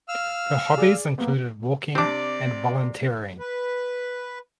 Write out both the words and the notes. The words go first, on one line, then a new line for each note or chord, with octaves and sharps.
Her hobbies included walking and volunteering.
F5 E6 F6
G#4 D5
A#3 B3
C3 C4 D4 D5 D6
B4